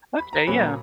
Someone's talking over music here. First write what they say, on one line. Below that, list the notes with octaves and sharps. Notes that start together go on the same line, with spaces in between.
Okay. Yeah.
B5
A#5
A#2 F#3 A#3 C#4 B5
A#5